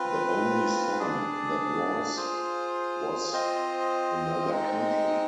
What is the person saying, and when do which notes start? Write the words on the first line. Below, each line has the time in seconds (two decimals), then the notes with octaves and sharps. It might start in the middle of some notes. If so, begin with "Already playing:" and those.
The only song that was was 'Another Country'.
Already playing: C4 F4 B4
0.99 D4 G#4 D5
2.16 F4 G#4 C5
3.32 C4 F4 C5 D#5
4.49 G#3 C4 D#4